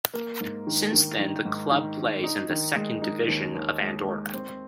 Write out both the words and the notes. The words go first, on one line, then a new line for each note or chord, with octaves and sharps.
Since then the club plays in the second division of Andorra.
A#3
G#2
D#3
D#3
D#3
G#2
D#3
D#3
D#4
D#3
G#3
D#4
D#2
D#2
G#3
G#3
C4